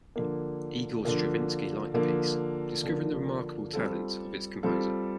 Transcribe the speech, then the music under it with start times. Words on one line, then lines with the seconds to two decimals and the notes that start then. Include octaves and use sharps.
Igor Stravinsky liked the piece, discovering the "remarkable talent" of its composer.
0.16 D3 F3 A#3
1.05 D3 F3 A#3
1.94 D3 F3 A#3
2.83 D3 F3 A#3
3.73 G3 C4 F4 A4
4.63 G3 C4 F4 A4